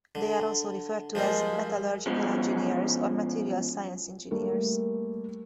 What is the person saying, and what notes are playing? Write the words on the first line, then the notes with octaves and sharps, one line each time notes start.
They are also referred to as metallurgical engineers or material science engineers.
D3
F3 G3 G#3 A#3
B2 F3 G#3 C#4
G3 A3 A#3